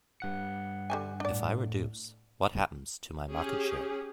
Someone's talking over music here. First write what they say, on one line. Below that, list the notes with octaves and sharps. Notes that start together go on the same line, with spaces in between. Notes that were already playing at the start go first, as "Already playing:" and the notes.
If I reduce, what happens to my market share?
G2 F#5 C#7
D3 G3 G#5
A2 D4 D5
C#4 G4 G#4